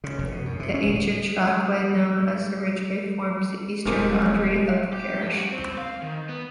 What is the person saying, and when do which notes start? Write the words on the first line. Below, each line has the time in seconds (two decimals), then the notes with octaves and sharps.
The ancient trackway known as the Ridgeway forms the eastern boundary of the parish.
0.04 C#3
0.19 F1
0.32 B2
0.45 F#2
0.59 C3
0.74 C#4
0.86 D1
3.85 E1 B1 A#2 G#3 C4 G#4 A#4 D6
4.93 G4
5.22 G2
5.38 F#4
5.52 C4
5.78 F5
6.03 D#3
6.29 B3